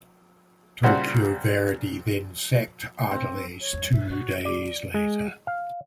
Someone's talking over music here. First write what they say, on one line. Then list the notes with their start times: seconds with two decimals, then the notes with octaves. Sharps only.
Tokyo Verdy then sacked Ardiles two days later.
0.83 A#2 C#3 G3 F#4 C5 F#5
3.11 C4
3.60 C#5
3.73 E2 G2
3.93 G2 A#2 E5
4.10 B2 F#4
4.45 D5
4.94 G#3
5.47 F5